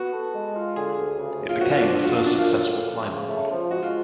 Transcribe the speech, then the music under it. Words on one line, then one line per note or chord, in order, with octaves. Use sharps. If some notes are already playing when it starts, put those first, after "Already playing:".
It became the first successful climate model.
Already playing: B3 F#4
A4
G#3
F4
D3 G#4
D2
C#3
F#2
F4
F3 F#4
F4
F2 D4
F3 F#4
F4
F#2 D4
F4
F#3
D3
F3
C#3
A3
F3
G#3 F#4
F4